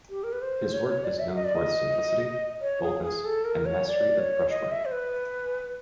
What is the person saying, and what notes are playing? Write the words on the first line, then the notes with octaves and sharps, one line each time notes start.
His work is known for its simplicity, boldness and mastery of brushwork.
G4
A#4
B4
C5
C#5
C#5
D5
E5
D#5
D5
D#5
C#5
G#4
G#4
A4
A#4
C#5
D5
C#5
D#5
E5
C5
B4